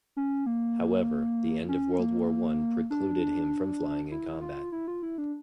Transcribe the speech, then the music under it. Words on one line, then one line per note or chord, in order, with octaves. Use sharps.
However, the end of World War One precluded him from flying in combat.
C#4
A#3
C#4
A#3
D4
E4
F4
E4
F4
E4
D4